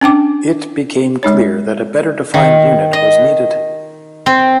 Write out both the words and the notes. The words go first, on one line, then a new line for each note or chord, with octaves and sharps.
It became clear that a better-defined unit was needed.
C#4 D4 G5 D6
G#3 D#4 C#5
D#3
D#5
C4